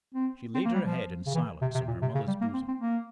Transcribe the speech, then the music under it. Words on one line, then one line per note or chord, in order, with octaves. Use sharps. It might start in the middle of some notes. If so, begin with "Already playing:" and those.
She laid her head in silence on her mother's bosom.
C4
C4
A#3
G3
F3
C#3
E3
C3
C3
A#2
C3
C#3
G3
A#3
C4
C4
A#3